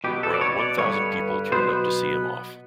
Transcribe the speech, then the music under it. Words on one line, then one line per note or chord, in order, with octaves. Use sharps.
Around one thousand people turned up to see him off.
B2 F#3 B3 G4
A4
D5
C#5
D5
G2 D3 G3 B3 C#5
B2 F#3 B3 C5